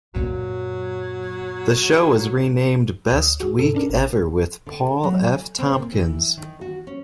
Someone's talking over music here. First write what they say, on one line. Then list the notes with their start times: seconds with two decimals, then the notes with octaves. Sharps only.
The show was renamed "Best Week Ever With Paul F. Tompkins".
0.15 F#2 A#2 F#3
3.12 D2 D#6 E6
3.40 F#4 G#4
3.59 G#2 C3 A4
3.75 C#4 D4 A#4
3.90 G#1
4.66 D3
5.03 F#3
5.24 G#5
5.59 C4
5.74 A#2
5.93 E3
6.37 D#3
6.61 F#4
6.87 C#4